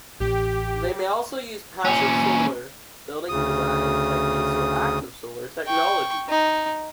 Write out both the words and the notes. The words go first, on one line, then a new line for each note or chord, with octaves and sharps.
They may also use passive solar building design techniques or active solar technologies.
A1 G4
A#2 C#4
D2 C#3 D#6
G5 C#6
D#4